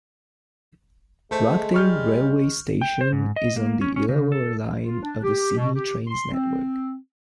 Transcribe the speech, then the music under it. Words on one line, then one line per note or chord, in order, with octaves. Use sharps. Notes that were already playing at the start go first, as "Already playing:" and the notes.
Rockdale railway station is on the Illawarra line of the Sydney Trains network.
G#3 A3 C5
G3 C#6 F6 G6
G5
C5
G#2
D#5
A#3
C#4
C#4
C#3
A4
F4
D4
G4
B2
G4
C6
C4